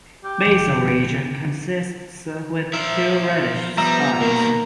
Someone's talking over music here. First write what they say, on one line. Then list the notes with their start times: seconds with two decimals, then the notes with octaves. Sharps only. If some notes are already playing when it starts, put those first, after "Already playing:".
Basal region consists with two reddish spots.
0.24 G4
0.46 F#1 D#3 F3
2.73 F3 A#4 E5
3.78 F3 G3 B3 E5 A#5
4.21 B2 D#3 A#3 A#4